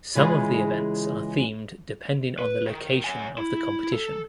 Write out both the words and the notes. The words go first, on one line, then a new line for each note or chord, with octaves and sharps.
Some of the events are themed depending on the location of the competition.
C#3 E3 G#3 F4 G#4
B4
D#3
F#3 G#5
E4
A4